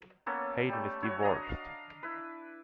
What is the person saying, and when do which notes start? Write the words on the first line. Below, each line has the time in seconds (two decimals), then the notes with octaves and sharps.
Hayden is divorced.
0.26 A#3 B3 C#4 A4
0.69 G3 A3
1.02 F#4 C#5
1.23 D4 D#5 A#5
1.49 F5
2.03 E4 B4